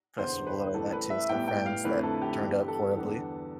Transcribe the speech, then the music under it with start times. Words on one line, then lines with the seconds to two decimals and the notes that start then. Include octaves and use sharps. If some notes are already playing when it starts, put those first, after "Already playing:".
festival that I went to with some friends that turned out horribly,
0.18 E1 E2 D3 C5
0.47 B4
0.73 A1 A2 G3 A4
0.93 B4
1.10 E5
1.29 A2 G3 B3 G5
1.48 G5
1.66 F5
1.85 F2 D3 A3 E4 B4
2.03 A4
2.22 G4
2.40 G2 E3 B3 D4 G4
2.68 A4
2.95 E2 D3 G3 B3 D4